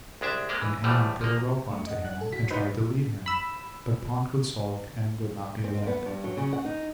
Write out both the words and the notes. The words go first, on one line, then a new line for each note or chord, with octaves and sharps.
Then Am put a rope on to him and tried to lead him, but Pont would sulk and would not be led.
C2 G#3 D4 E5
G#3 A#3 D4 G4
E3
D2 A2 E3 F3 G3 A3
F3 A#3
A3
D#5 F#5
F#5 F#6
A4 G#5
F#4 B6
D#4 B4 C5
B5 E6
C4
B3
G2
F#3
C#3
F#5
D#4